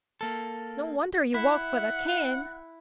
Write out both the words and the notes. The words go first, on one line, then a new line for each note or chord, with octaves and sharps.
No wonder he walked with a cane!
A#3 A4
E4 E5 F#5